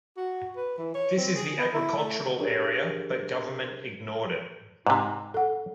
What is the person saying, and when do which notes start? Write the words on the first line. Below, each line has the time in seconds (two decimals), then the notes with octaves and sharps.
This is the agricultural area but Government ignored it.
0.17 F#4
0.56 B4
0.78 E3
0.95 C#5
1.17 C4
1.36 G#4
1.59 B3
1.74 E4
1.97 A3
2.38 D4 G4 G#4 A#4
4.87 G#2 C3
5.34 A4 F#5